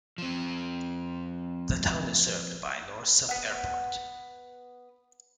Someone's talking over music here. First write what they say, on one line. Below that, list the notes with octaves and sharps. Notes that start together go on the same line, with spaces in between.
The town is served by Norsup Airport.
F3 C4
B3 F#5